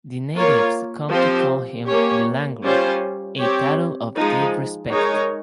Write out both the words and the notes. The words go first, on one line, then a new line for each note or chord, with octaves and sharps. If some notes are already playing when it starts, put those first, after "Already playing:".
The natives come to call him the "Langri", a title of deep respect.
A#3 F4 A#4 C#5
F3 C4 G4 C5
A#3 C#4 G4 C#5
G3 C#4 F4 C5
C4 G4 C#5
F3 G#3 D#4
G#3 D#4 A#4 C#5